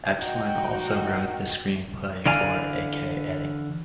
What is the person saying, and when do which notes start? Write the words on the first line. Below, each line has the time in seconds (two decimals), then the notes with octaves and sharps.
Evslin also wrote the screenplay for A.k.a.
0.16 D#4 F#4 G5
2.26 D3 E3 D5 F5 G#5